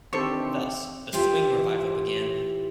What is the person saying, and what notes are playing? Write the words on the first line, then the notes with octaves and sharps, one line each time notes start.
Thus, the swing revival began.
D#3 E3 C4 D4 G4 A4 C5 C#6
E3 E4 F4 G4